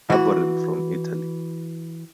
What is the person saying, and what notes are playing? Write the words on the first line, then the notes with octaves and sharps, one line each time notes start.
Aborym from Italy.
E3 F#4